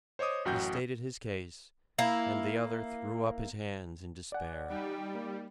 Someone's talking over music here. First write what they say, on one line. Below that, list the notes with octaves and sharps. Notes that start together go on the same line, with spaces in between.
He stated his case; and the other threw up his hands in despair.
C5 C#5 D#5 D6 D#6
A1 F#2 F#4 G5 G6
A#3 E4
D5 F#5 G#5
G3 D#4 G5
A#3